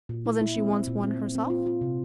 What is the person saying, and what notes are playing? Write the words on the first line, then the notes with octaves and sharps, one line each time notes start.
Wasn't she once one herself?
A#2
E4
E4
C4
C4
A#2
C4
C4
C4
F4
F4
C3